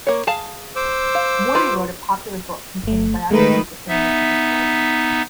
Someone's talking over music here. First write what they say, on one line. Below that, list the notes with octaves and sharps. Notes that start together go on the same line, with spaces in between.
Morley wrote a popular book containing biographies of famous English writers.
A#3 C#5
G#4 F5 A5
C5 D6 E6
F5
F4 B4
G1 A3
D#3 G#3 A3 B4 A#5
B3 D#4 E5